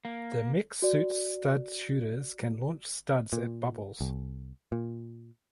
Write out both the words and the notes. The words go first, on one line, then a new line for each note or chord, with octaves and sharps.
The mech suit’s stud shooters can launch studs at Bubbles.
A#3
F#4 D5
A#2
C2
A#2